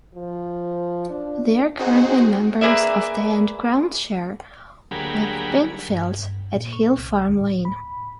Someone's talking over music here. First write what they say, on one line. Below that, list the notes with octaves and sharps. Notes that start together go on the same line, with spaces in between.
They are currently members of the and groundshare with Binfield at Hill Farm Lane.
F3
D4
C4 D#4 F#4 G#4 C5 F#5
A#3 G#4 B4 D5 E5
D2 F#3 G3 A#3 G#4 B5
G2
G2
A#2
C#6
C2
D2
A2
B5